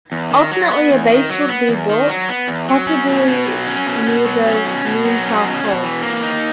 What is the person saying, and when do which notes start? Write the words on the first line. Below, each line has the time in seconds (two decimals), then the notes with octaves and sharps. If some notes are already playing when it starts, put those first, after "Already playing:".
Ultimately a base would be built, possibly near the Moon's south pole.
0.12 E2
0.31 D#3
0.51 F#3
0.71 B3
0.90 E2
1.10 D#3
1.30 F#3
1.49 B3
1.69 E2
1.90 D#3
2.09 F#3
2.29 B3
2.48 E2
2.68 F#3
2.87 C#4
3.07 B2
3.27 B2
3.47 F#3
3.67 C#4
3.87 B2
4.06 B2
4.25 F#3
4.45 C#4
4.65 B2
4.85 B2
5.05 F#3
5.23 C#4
5.43 B2
5.64 B2
5.83 E3
6.02 A#3
6.23 D#4